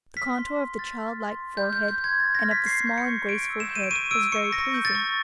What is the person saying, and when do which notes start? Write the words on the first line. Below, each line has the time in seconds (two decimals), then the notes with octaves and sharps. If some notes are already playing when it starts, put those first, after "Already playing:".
The contour of the child-like forehead and of the small and graceful head was very pleasing.
0.17 F6 B6
0.38 C6
0.59 C6
0.79 F6 A6
1.00 F6
1.20 C6
1.42 C6
1.57 G6
1.63 F6
1.73 G6
1.83 C6
1.88 G6
2.04 C6 G#6
2.20 A6
2.24 F6
2.35 A#6
2.45 F6
2.51 B6
2.66 C#6 C7
2.87 G6
2.98 C#7
3.07 C#6
3.28 C#6 D7
3.50 E6
3.60 E7
3.70 G6
3.76 D#7
3.83 D7
3.91 C#6 D#7
4.11 E6 D7
4.32 C#6 C#7
4.52 C#6 A#6
4.74 G6
4.85 A6
4.95 C#6